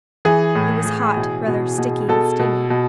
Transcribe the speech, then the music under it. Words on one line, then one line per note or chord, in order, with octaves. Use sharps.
It was hot; rather sticky and steamy.
E3 G#4
A2
E3
B2
B2
B2
B2 A4
B2
B2